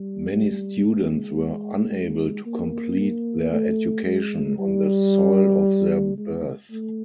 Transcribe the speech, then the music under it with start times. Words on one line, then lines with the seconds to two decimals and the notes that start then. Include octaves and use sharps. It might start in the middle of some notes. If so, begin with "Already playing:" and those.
Many students were unable to complete their education on the soil of their birth.
Already playing: G3
0.87 G#3
2.46 A#3
3.52 A3
4.05 G#3
4.58 G3
6.18 G#3
6.71 A3